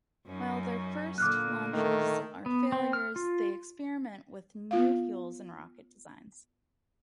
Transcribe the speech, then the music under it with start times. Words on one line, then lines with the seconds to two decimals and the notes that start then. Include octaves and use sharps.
While their first launches are failures, they experiment with new fuels and rocket designs.
0.26 F#2 C#4 D#4
1.18 A#2 D3 A#3 D6 F6 F#6
1.73 D#3 A3
2.46 B3
2.72 C4
2.93 F6
3.16 F4
4.71 B3 F4 F5